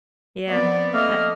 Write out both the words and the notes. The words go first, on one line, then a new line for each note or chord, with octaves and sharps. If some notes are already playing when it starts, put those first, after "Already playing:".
yeah, uh
F3 B3 C4 D5
A3 A#3 D#5 F6